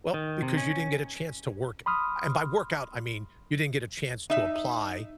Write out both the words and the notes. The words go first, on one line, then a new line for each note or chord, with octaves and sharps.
well, because you didn't get a chance to work and by workout, I mean, you didn't get a chance to apply
D#3
C3
C#4
B5 C6 D#6 F6
D#4 E5